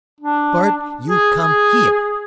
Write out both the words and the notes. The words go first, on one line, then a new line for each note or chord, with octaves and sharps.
"Bart, you come here!"
D4
G#4
G#4